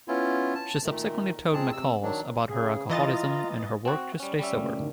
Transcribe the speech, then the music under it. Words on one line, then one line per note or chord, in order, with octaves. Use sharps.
She subsequently told "McCall's" about her alcoholism and her work to stay sober.
B3 C#4 E4 F4
A5
A#2 D#3 A3
A#2 G#3 C4 G#4 A5
C3 E6
D#3 F#3 D4
C#3 G#4
E3 F4 D#5 A#5 A6
C4 F#4
G3 C#4
G3 C#4 E5
A#2 C#3 A3
D#2 D3 D#3